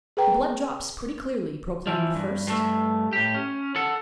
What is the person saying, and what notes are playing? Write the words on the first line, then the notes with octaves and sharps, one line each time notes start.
The blood drops pretty clearly, proclaimed the first.
G#4 B4 G5 A#5
E3 F3
G2
G2 A3
A2 G4
C#4
A4 F#5